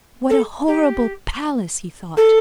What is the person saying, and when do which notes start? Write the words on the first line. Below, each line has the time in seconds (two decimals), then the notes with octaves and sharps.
What a horrible palace! he thought.
0.30 A4
0.67 G4
2.17 A4